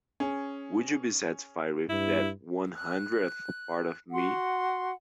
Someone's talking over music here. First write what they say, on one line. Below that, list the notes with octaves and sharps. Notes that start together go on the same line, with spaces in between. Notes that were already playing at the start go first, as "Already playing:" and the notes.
Would you be satisfied with that one hundredth part of me.
C#4 G#4
G2 E4
F#6
F#4 F#5 C6